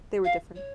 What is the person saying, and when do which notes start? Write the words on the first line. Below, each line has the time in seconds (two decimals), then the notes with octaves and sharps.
They were different.
0.24 F5
0.55 C#5